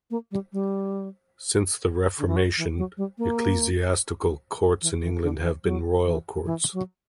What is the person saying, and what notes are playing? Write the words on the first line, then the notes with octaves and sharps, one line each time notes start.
Since the Reformation, ecclesiastical courts in England have been royal courts.
A#3
G3
G3
D3
E3
F#3
E3
F#3
G3
A#3
E3
E3
D3
E3
F#3
E3
E3
F#3